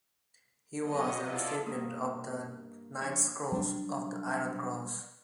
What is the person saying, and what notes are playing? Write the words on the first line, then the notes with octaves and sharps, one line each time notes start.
He was a recipient of the Knight's Cross of the Iron Cross.
F#3 B3 D#5
E4 F4 A4 D5
G2 A#3 D#6
F3 D4 C#5
F#3 G3 D4